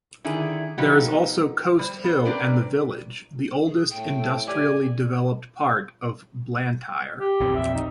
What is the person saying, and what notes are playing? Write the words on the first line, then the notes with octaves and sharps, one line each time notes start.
There is also Coatshill and the village, the oldest industrially developed part of Blantyre.
D3 D#3 E4 G#4
F3 B3 D#4 F#4 G4
G3 C5
B3 C5
C4 D4 A#4 B4 D5
G#4
A2 G5
A4
G4 D5 G#5
G4
A#1 E2 C4
E5
D#4